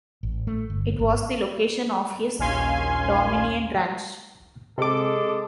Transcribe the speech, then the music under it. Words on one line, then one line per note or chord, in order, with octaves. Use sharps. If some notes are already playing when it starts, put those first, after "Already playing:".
It was the location of his Dominion Ranch.
A1
A3
G1
G#1
A#1 D#2 C#4 F5 G#5 C6
C3 G#3 A4 D6